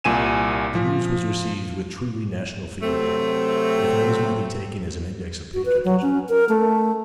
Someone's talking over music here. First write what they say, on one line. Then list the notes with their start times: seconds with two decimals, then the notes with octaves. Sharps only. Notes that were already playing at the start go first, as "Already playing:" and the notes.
The news was received with truly national feeling, if noise might be taken as an index of patriotism.
0.04 C2 A#2 G#5 D#7 E7
0.75 F3
2.82 C3 F#3 A3 C4
5.54 F#4
5.65 B4
5.85 F#3
6.02 C#4
6.29 A#4
6.49 A3